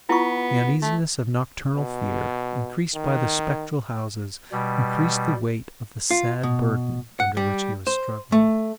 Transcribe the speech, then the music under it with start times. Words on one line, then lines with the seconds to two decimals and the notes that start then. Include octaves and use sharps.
The uneasiness of nocturnal fear, increased by the spectral houses, increased the weight of the sad burden under which he was struggling.
0.09 B3 E4 F4 C#6
0.82 A3
1.76 B2
2.95 D#3
4.52 B2 G3
6.11 F4
6.43 B2
7.20 F#5
7.37 G3
7.87 C5
8.32 A3